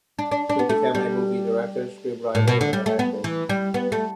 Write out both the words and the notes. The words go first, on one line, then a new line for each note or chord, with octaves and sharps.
He became a movie director, scriptwriter and actor.
D4
D4
D4
B3
A3
G3
A2
B2
D3
G3
A3
B3
E3
G3
B3
A3